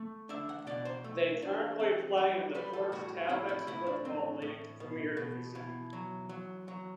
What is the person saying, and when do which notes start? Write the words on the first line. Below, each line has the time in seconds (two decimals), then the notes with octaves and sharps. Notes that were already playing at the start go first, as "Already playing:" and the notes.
They currently play in the Port Talbot Football League Premier Division.
Already playing: A3
0.29 D4 E5
0.49 F#5
0.67 B2 D5
0.85 C5
1.04 A3
1.42 D4
1.80 C4
2.18 G3
2.55 G3 B4
2.73 A4
2.92 A2 F#4
3.29 C4 E4
3.49 E4
3.67 A2 E4
3.87 D4
4.05 C4
4.42 A2
4.80 B2
5.17 B2
5.55 B2 E4
5.93 F#3
6.29 F#3
6.68 F#3